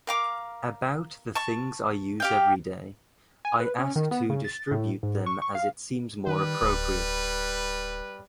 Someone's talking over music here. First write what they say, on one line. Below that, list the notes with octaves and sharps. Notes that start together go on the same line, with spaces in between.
About the things I use everyday, I ask to distribute them as it seems more appropriate.
A#4 F5 D6
A5 C#6
G4 F5 G5
G#5
B4
C#4
D#3
B3
C#3
A6
A2
G#2
C#6
C#6
F5
D#3 G3 B4
D1